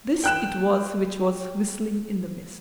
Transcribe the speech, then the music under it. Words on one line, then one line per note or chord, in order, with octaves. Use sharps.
This it was which was whistling in the mist.
G5 F#6 E7